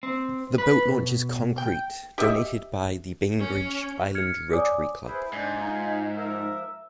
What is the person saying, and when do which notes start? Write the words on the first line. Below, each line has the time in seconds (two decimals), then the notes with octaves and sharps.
The boat launch is concrete, donated by the Bainbridge Island Rotary Club.
0.03 C4
0.58 B4
0.90 B2
1.58 G5
2.18 G4 D#5 E5
3.40 C#4
4.15 F6 G#6 C#7
4.53 C#5 D5 G#5 D6 D#6
5.07 E4 G#4 B4 C5
5.33 G#2 D4 G#5
5.57 D#4 F4
6.17 F3 A#4 E5